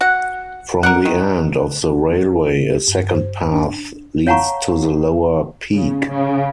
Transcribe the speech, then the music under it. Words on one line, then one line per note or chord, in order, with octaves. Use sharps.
From the end of the railway a second path leads to the lower peak.
F#4 F#5
A#4 D5 F#5
D#3
G4
G2
C5
D4
C#5 F5 F#5 A5 A#5 C#6
C#3
C#3